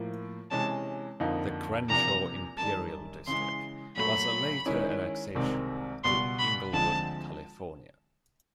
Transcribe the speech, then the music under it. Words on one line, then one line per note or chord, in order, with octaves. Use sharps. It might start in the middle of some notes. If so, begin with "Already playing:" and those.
The Crenshaw-Imperial district was a later annexation to Inglewood, California.
Already playing: A2 F3 A#3
C3 E3 G#3 C#4 A5
F2 D3 F3 A#3 D#4
E2 C3 F3 A#3 D4 A#5
F#2 D#3 G3 A5
C#3 E3 G#3 C6
A#2 F#3 A3 B5
D#3 G#3 C#4 E4
C2 C3 D#3 G#3 C4
C#2 B2 G3 B3 C6
B5
D2 D3 F3 G#3 C4 A5